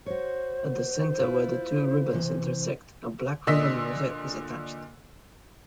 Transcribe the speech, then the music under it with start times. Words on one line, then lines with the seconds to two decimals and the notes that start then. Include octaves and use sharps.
At the centre where the two ribbons intersect a black ribbon rosette is attached.
0.06 F#4 C5 C#5
1.19 E4 F4
2.13 C3 E3
3.47 A#2 D3 D#5 E6 B6